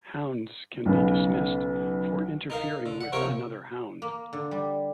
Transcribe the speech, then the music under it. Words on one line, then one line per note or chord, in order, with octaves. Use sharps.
Hounds can be dismissed for interfering with another hound.
B1 C#3 B3
D#4 A#4 F5
D3
F#5
C3 F3 A#4 C#5 G5
A#3
D3
G3